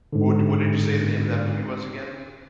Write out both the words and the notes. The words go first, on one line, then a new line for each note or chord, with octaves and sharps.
What d what did you say the name of that movie was, again?
G#2 D3